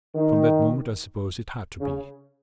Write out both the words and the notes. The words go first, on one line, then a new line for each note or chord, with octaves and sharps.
From that moment, I suppose, it had to be.
D#3
C#3